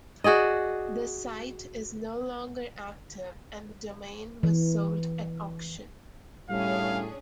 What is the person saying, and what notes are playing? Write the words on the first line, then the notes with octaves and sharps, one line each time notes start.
The site is no longer active and the domain was sold at auction.
F#4 G#4 D5 D#5
E3
A2 G3 C#4 D4 G#4 F5